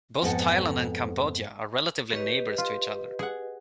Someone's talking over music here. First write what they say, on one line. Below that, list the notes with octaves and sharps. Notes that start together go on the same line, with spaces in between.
Both Thailand and Cambodia are relatively neighbors to each other.
F2 G#2 B3 A4 F#5
G4 B4 C#5 D#5
F4
G#4 F#5